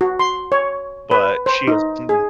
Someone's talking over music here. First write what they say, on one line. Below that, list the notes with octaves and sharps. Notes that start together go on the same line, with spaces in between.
But she has hmm
F#4
C6
C#5
B4
C5
D#4
G#4